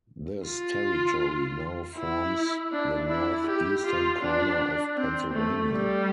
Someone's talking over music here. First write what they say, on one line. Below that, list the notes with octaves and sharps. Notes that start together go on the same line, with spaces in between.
This territory now forms the northeastern corner of Pennsylvania.
F4
E4
D4
E4
G4
F4
D4
C4
A3
G3